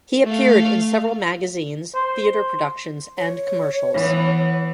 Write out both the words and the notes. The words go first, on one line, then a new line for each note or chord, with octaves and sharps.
He appeared in several magazines, theater productions, and commercials.
A3 F5
C5
C#5
E3 B3